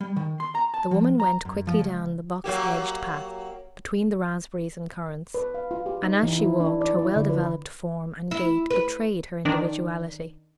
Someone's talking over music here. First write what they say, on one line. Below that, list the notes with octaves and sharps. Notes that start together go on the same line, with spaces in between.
The woman went quickly down the box-edged path between the raspberries and currants, and as she walked her well-developed form and gait betrayed her individuality.
G3
D#3
C6
A#5
A5
F3
A#5
F#2
F3
C#2
F#3 A#3 G4
B4
F5
F4
G4
D#4
E3
E4
D4
D5
E4
D3
B4
E4
B4
D#3 D4 D5